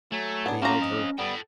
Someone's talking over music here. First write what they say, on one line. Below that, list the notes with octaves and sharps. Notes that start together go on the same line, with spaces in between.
They held her.
F#3 A3 G#5
A2 B3 D4
A3 A#3 C4 C#4 F#4 G4 F5 A#5
D#5
G3 B3 A4 G5